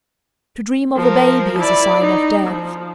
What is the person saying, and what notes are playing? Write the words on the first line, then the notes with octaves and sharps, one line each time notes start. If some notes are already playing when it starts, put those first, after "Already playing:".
To dream of a baby is a sign of death.
F3 A#4
E4 D5
D#4
F3